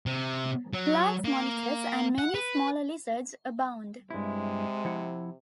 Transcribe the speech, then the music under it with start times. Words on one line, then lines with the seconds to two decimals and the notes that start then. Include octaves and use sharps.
Large monitors and many smaller lizards abound.
0.06 C3
0.73 F#3
1.25 A#3
2.18 F#5
2.35 B4
4.10 G2 C3 G#3 E4
4.85 F3 E4 F#5